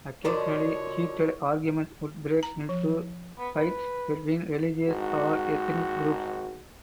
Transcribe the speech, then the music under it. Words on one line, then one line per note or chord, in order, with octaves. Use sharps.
Occasionally heated arguments would break into fights between religious or ethnic groups.
B2 D3 F3 A#4 C#5 D5 D6
A#5
F3
B3
B4
G#1 G#2 F#4